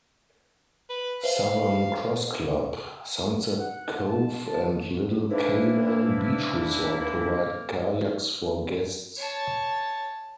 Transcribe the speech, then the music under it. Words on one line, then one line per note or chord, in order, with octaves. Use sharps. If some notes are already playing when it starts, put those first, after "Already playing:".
Southern Cross Club, Sunset Cove and Little Cayman Beach Resort provide kayaks for guests.
B4
B4 C5 E5 F5
F#5
A5
E3 A#3 D4 E4 B4 C5 E5
C#5 A5